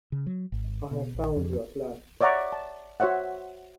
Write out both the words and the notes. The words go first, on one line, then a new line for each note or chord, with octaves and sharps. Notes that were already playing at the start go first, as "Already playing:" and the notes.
I have found you at last!
C#3
F#3
G#1
B2
A#1
F2
C#5 D5 E5 F#5 A#5 C#6
A5
F#4 C5 C#5 E5 F#5